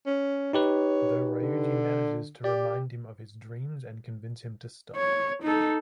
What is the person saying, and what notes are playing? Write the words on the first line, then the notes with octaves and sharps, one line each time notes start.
Though Ryuji manages to remind him of his dreams and convince him to stop.
C#4
D#4 G4 B4 C#5
D3
G4 D5
C#5
D#4 A4